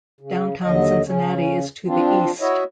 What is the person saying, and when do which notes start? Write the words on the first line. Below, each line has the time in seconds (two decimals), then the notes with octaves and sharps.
Downtown Cincinnati is to the east.
0.21 C#3
0.64 D#2 D3 F#3 D#5
1.05 C#3 C#4
1.87 F3 C4 D4 F4
2.41 E4 F#4 C#5 D#5 E5